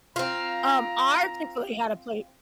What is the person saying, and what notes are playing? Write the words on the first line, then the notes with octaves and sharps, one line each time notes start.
um, our Chick-fil-A had a plate.
C4 F4 A#5